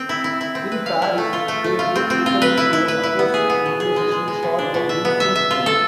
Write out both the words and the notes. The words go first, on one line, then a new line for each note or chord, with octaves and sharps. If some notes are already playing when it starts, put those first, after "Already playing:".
In Paris, they did a "Take-Away Show" acoustic video session shot by Vincent Moon.
Already playing: C4
E4
E4
E4
C4
B4
F5
E4
A3
F4
A3
A3
F4
C4
C4
F4
B4
E4
E4
B4
E4
B3
G#4
B3
B2
G#4
G#3
G#3
G#3
B2
D4
B2
E5
B3
E5
E5
F4
A4